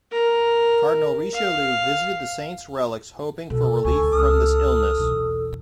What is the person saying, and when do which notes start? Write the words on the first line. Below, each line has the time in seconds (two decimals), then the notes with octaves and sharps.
Cardinal Richelieu visited the saint's relics hoping for relief from this illness.
0.12 A#4
1.34 F5
3.50 B2 A4
3.85 D2 D#3 G#5 C#6
4.13 C#2 D#6 F6
4.97 B1 E2